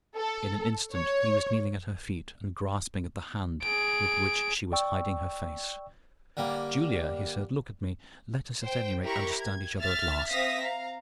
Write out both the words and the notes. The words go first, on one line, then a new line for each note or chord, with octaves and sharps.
In an instant he was kneeling at her feet, and grasping at the hand with which she was hiding her face. "Julia," he said, "look at me; let us at any rate understand each other at last."
A4
C#5
G#4 D7
D5 G5 C#6 E6
D3 G3 A#3
C5 G5
E4 G4 A#4 A#5 B5 C#6
G#6
E5 F6 A6
C4 E5 F5 D#6 A#6 B6
F5 A#5